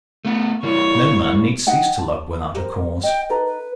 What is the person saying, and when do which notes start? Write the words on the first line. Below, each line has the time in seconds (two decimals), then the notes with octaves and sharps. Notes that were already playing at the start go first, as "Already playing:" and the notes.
No man need cease to love without a cause.
0.25 A3 B3 F#5
0.63 E3 G3 A#3 C#5
1.67 D#4 F#5 G5
1.99 A5
2.54 G4 A#4 C5
3.03 D#5 G5
3.30 D#4 A4 B4 A#5
3.45 B4